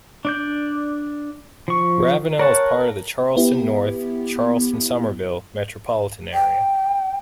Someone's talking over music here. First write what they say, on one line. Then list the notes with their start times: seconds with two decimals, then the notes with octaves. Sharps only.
Ravenel is part of the Charleston-North Charleston-Summerville metropolitan area.
0.25 D4 D5 G6
1.68 F3 C#6
2.39 A#4 C#5 F#5 A5
3.36 B3 E4 G4
6.34 G5